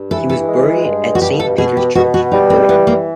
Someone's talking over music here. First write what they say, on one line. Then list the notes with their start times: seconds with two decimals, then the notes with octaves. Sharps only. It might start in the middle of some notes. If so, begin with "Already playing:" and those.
He was buried at Saint Peter's Church, Goytre.
Already playing: G2
0.11 E3 A4
0.30 A4
0.48 G#3
0.84 G2
1.15 F#4
1.21 B2 G4
1.40 A4
1.58 B2 G#4
1.77 G4
1.95 B2 F#4
2.14 F#4
2.32 G3 D#4
2.50 C4
2.68 E3 B3
2.87 A#3